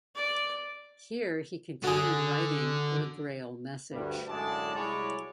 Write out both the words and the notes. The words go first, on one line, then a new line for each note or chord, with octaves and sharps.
Here he continued writing "The Grail Message".
D5
D3 F#4 G#4
D2 G2 G3
F#2 A2 D3 G#3 D5 A5
C2 F#3 G#3 E4 C#5 D5